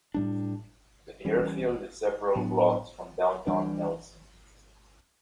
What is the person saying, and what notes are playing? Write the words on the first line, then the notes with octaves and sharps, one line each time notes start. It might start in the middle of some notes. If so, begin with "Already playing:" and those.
The airfield is several blocks from downtown Nelson.
A2 G3 D4
E3 G3 C#4
A2 F#3 B3 D4
E3 G3 D4